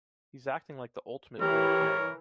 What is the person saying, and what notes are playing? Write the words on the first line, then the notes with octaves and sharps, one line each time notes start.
He's acting like the ultimate proletarian.
E3 G4 A#4 C#5